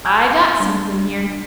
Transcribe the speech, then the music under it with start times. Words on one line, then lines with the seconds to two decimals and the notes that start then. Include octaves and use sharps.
I got something here.
0.05 G#5 D6 G6 G#6
0.60 G3 D4